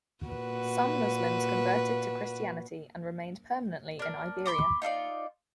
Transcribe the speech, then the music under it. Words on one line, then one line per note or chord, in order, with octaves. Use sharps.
Some Muslims converted to Christianity and remained permanently in Iberia.
A#2 F#4 B4
D4 A#4
B5 C6 D6 D#6
D#4 F4 A4 D5